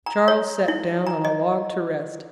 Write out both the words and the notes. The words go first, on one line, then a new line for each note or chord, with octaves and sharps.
Charles sat down on a log to rest.
A#5
C#5
E4
A#5
D#5